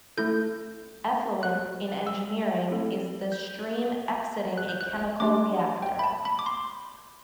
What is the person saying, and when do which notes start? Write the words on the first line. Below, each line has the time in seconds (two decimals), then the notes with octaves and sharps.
Effluent, in engineering, is the stream exiting a chemical reactor.
0.17 A3 E4 A4 G6
1.43 F#6
2.07 E6
2.68 A3 C4 E4 A4
3.32 G6
4.58 F#6
4.69 G6
4.81 F#6
5.20 A3 D4 G4 D6
5.82 G5
5.99 B5
6.04 A5
6.25 B5
6.39 D6
6.46 C6